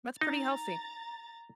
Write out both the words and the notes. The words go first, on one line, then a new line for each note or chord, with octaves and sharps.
that's pretty healthy.
D#4 A#5 A6